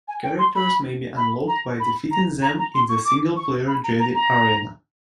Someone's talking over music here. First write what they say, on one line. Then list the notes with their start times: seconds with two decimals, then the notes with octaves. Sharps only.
Characters may be unlocked by defeating them in the single player Jedi arena.
0.08 G#5
0.23 G5
0.39 C6
0.55 B5
1.17 B5
1.48 A#5
1.80 B5
2.11 A#5
2.42 A#5
2.58 A#5
2.75 C6
2.89 C#6
3.05 D6
3.37 C#6
3.68 B5
3.84 A#5
4.00 A#5
4.15 A#5